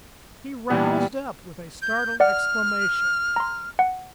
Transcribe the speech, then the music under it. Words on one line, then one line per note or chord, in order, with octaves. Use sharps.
He roused up with a startled exclamation.
A#2 E3 G3 B3
G6
D5 F#5 F6
A#5 C6
F#5